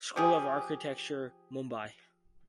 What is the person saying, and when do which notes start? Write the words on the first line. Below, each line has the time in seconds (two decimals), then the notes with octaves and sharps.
School of Architecture, Mumbai.
0.16 F3 G4 G#4